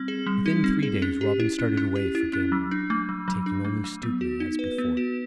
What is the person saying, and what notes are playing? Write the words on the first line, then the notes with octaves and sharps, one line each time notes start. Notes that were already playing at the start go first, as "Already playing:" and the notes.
Within three days Robin started away for Gamewell, taking only Stuteley, as before.
Already playing: G3 C4
G#4
G3
D#4
C4
G#4
C#4
G4
E4
C#4
C#4
G4
E4
C#4
F#3
D4
A3
F#3
F#3
D4
A3
F#3
B3
F#4
D#4
B4
B3
F#4